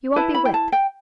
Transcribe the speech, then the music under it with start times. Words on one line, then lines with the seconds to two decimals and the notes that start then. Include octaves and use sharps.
You won't be whipped.
0.16 E4 B4 A5
0.34 B5
0.45 G5
0.54 A5
0.72 G5